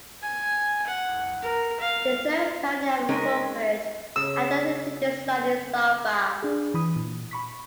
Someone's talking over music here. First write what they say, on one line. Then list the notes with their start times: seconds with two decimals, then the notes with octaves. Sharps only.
The third pioneer of corporate identity design is Saul Bass.
0.22 G#5
0.87 F#5
1.42 A#4
1.80 F5
3.09 G#3 C4 C#4 D#4 G#4 A#4
4.16 C#3 E6
6.43 D4 G#4
6.74 E3 B5 D#6
6.96 A#2
7.31 B5 C#6 B6